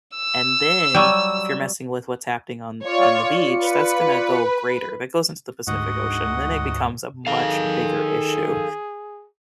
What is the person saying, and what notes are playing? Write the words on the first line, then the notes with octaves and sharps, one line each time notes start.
and then if you're messing with what's happening on on the beach, that's gonna go greater, that goes into the Pacific Ocean, then it becomes a much bigger issue.
E6
F#3 G3
F4 C#5 D5 C#7
B4
D2 G#2 F#4 D#5 F#5
D#3 G#4 A4 F5